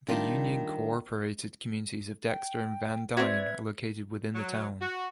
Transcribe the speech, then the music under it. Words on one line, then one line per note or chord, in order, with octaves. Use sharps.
The unincorporated communities of Dexter and Van Dyne are located within the town.
D#3 G3 D4 F4
G5
C4 F#4 B4 D5 E5 G#6
F#3
F#4